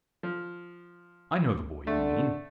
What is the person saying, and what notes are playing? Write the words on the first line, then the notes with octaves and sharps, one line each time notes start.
I know the boy you mean.
F3
D3 A3